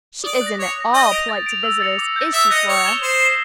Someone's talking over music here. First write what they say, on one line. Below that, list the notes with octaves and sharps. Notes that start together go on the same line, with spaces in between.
"She isn't at all polite to visitors, is she, Flora?"
D5 D#6
F#6
A#6
C#5 D6
F#6 A#6
D#5 G6
A#6 D7 F7
A6
D7 F7
E6
A6 C#7 F7
D6
G6 A#6
E5 D#6
D#5 F#6 A#6 C#7
C#5 D#6
G#6 C#7 E7 G7
C5 G#6
C7 E7